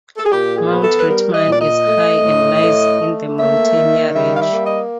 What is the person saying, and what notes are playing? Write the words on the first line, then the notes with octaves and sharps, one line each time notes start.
Mount Rittmann is high and lies in the Mountaineer Range.
A4
G#4
A#2 G4
G#4
B3
A4
B4
G3 A#4
D#5
A#2 D5
D#5
A3
A2
A3
A3
A#3 E5
D#3
G3 E5
F5
E5
A#3
D#5